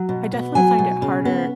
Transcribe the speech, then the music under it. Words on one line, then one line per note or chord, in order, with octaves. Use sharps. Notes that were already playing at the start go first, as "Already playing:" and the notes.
I definitely find it harder
Already playing: F#3
B2
B3
F#3 G#5
B2
C#3
B3